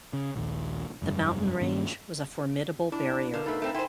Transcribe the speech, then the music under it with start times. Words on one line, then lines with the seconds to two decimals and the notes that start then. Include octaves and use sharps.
The mountain range was a formidable barrier.
0.13 C#3
0.36 A#1 D#2
1.02 F1 G2
1.61 G2 D#3 A#3 C#4
2.92 D4 E4
3.34 D3 A#4 B4 F5
3.46 B2 A3 D#4 B5
3.62 A3 C4
3.74 E4 C5 G5 G#5 C6